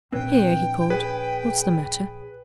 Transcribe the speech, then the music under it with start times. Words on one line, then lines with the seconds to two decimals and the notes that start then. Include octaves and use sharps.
"Here," he called, "what's the matter?"
0.12 A#1 C4 D4 B4 C#5 G5
0.90 G#4 B4 C#5